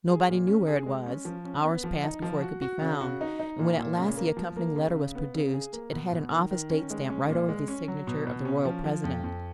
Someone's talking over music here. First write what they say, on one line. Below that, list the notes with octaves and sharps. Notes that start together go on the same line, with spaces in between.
Nobody knew where it was; hours passed before it could be found; and when at last the accompanying letter was produced, it had an office date stamp right over the signature of the royal president.
G#4
A#2
C#4
G#4
G#3
C#4
F3
C#4
B3
F3
D#4
F3
F#4
F#4
C#3
F#4
D#4
D#4
A#2
A#2
C#3
A#3
F3
A#3
C#3
C#3
B3
C#3
G#4
A#3
B2
B2
D#3
D#3
C#4
G#3
C#4
A#2
G#3
C#4
F#3
B2
B2
C#4
F3
F3
F2
F2